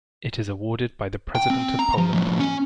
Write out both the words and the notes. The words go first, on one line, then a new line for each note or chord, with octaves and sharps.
It is awarded by the President of Poland.
G5
C4
A#5
F3
A2 F3
C#4 G#5